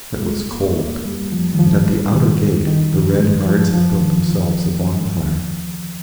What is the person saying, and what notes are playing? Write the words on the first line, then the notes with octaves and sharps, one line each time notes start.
It was cold, and at the outer gate the Red Guards had built themselves a bon-fire.
G3
G#3
A#3
A#3
G3
F3
D#3
F3
G3
D#3
D#3
F3
G3
G#3
F3
F3
D#3
F3